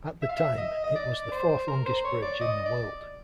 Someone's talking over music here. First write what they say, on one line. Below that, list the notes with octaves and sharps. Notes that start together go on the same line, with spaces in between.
At the time, it was the fourth longest bridge in the world.
E5
F5
E5
D#5
D#5
D5
C5
A#4
C5
C#5
D5
D#5
D5